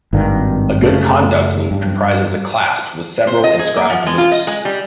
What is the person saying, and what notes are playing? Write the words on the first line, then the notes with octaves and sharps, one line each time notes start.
A Good Conduct Loop comprises a clasp with several inscribed loops.
G#1 G2 D#3
F#2 C#3 A3
G2
C5
D#5
G#4
A#3
F3
G#3
F4
D#5
G#3
G3